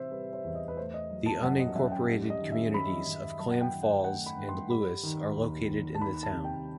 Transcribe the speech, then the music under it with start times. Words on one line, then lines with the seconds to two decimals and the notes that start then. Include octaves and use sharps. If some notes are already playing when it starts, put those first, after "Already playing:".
The unincorporated communities of Clam Falls and Lewis are located in the town.
Already playing: C3 E3 C5 E5
0.12 G3 B4
0.33 C5
0.44 E2
0.55 D#5
0.68 B4
0.77 A3 C5
0.94 D#5
1.10 F#3
1.26 A5
1.43 F#2 F#5
1.59 D#5
1.75 F#2 E5
1.91 G5
2.08 G3
2.30 D#5
2.40 D#3
2.52 E5
2.74 F#2 B5
3.06 F#2
3.39 F#3 A5
3.51 F#5
3.61 G5
3.72 D#3
3.83 F#5
4.04 A3 F#5
4.26 B5
4.37 G2
4.49 C6
4.70 G3 B5
5.03 D#3
5.36 D#2
5.68 D#2
5.95 A5
6.01 D#3 B5
6.23 A5
6.33 C3
6.45 G5